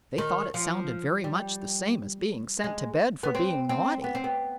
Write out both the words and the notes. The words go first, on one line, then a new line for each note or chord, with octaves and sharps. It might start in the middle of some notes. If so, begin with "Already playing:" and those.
They thought it sounded very much the same as being sent to bed for being naughty.
D#3
F3
G3
G#3
B3
C4
C4
B3
C4
B3